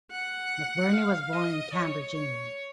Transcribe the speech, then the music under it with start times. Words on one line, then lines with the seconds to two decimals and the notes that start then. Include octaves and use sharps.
McBurney was born in Cambridge, England.
0.12 F#5
0.93 F5
1.33 D#5
1.74 C#5
2.14 C#5